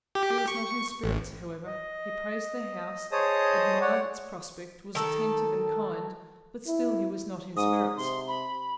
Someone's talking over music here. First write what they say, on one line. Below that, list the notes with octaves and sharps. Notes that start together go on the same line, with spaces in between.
He was not in spirits, however; he praised their house, admired its prospect, was attentive, and kind; but still he was not in spirits.
G4
C#6
A1
D#5
G#4 C5 C#5 D#5 A5 D#6
C#5 D5 F#5
D#3 A4
E4
G#2 D#6
C3 C6
B5